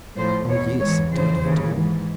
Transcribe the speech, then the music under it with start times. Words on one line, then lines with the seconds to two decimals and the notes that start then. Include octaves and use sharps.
"Oh, yes, indeed I do!"
0.16 A2 F3 C5
0.48 E2 B2 C#5
0.80 G#2 E3 C#5
1.12 F2 C#3 E3 C5
1.44 D#2 C#3 E3
1.76 G#2 E3